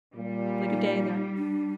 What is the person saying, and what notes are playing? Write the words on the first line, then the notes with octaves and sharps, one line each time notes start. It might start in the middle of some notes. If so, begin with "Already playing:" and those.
like a day that,
A#2 G3
D#4
D4